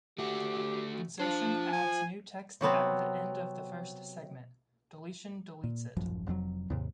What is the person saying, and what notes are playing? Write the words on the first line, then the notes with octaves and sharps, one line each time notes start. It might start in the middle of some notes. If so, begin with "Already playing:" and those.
Insertion adds new text at the end of the first segment; deletion deletes it.
A3 F#4 G4
D4 F4 C5
G#5
C3 F#3 B3 C4
A#2
D#1 A1 F#2 F3
F1 F2 C3 F#3
D#2 G#2 C3